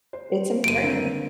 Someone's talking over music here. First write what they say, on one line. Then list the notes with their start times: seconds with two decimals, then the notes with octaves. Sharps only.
It's important.
0.13 C5
0.64 F#1 D7 D#7
0.83 D3 A#3 C4